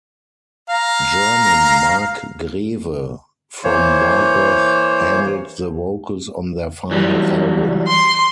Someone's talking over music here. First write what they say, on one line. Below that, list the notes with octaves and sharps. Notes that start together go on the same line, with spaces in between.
German Marc Grewe, from Morgoth handled the vocals on their final album.
F5 A#5
E3 A#3 C5 C#5
E3 F#3 G3
C6